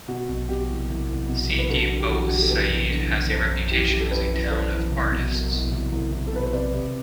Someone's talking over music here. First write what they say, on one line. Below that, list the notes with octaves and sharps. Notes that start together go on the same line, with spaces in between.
Sidi Bou Said has a reputation as a town of artists.
B2 F#4
B2
B2 G4
C2
C2
C2
B2
C2
B4
D3 F#4 A4
D3
G4
E2 F#4 A4
D3 F#4
G4
A4
E2 G4 B4
E2
D3
E2
F#2 A4 C5
F#2
E3 G4
E3 G4
A4
F#2 G4 B4
E3
D5
E3 A4 C5
E3
C2
B2
B2
B2
C2
C2
C2
A4
B2 B4
C5
C3 B4 D5
C3